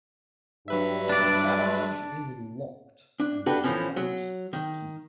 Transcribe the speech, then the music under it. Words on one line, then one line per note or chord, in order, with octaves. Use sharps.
The garage is locked; and I haven't the key.
G2 F#3 B4 E5
D4 D5
D4
D4 F#4 G4 A4 B4
A2 E3 F3 C#4
F#3
D#3